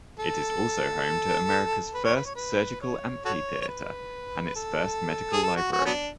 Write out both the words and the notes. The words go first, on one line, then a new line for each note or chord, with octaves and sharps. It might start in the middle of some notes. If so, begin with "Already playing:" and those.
It is also home to America's first surgical amphitheatre and its first medical library.
A4
B4
C#5
B4
C#5
B4
C#5
F#4 A4 C#5
C#5
B4
A4
G#4
A4
F#4
F#4
C#4
F#3 B3 D4